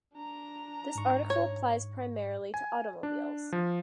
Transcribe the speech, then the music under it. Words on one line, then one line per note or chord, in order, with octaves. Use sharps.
This article applies primarily to automobiles.
D4 A#5
G#2 C#6
C#5
G#5
D4
F3